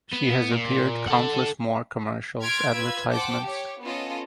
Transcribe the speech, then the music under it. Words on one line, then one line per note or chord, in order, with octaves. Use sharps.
She has appeared countless more commercial advertisements.
B3
A#2
A4 F#5
C6 F6 G#6 A6 B6 D7
F4 B4 E6 G#6
C5 F#5 G5 A5 D6
G4 C#5
B3 C#4 F4 A4 D#5